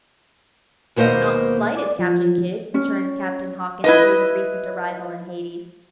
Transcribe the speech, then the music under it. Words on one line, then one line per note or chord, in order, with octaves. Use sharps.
"Not the slightest, Captain Kidd," returned Captain Hawkins, who was a recent arrival in Hades.
D#2 B2 A#3 C5 D#5
D5
F3
C#4
E4 B4 D#5